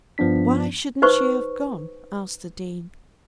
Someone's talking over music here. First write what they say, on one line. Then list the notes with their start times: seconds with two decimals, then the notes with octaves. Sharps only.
"Why shouldn't she have gone?" asked the Dean.
0.18 G2 F3 B3 D4 B6
1.02 D#4 B4 C5 C#6